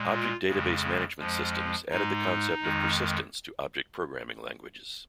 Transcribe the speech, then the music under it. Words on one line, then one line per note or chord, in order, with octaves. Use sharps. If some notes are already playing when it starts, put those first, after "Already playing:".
Object database management systems added the concept of persistence to object programming languages.
Already playing: A#2 G#3
F4
F2 C#3 G#3
F2 F3 G#3
G#2 G#3 D#4
F2 D#3 G#3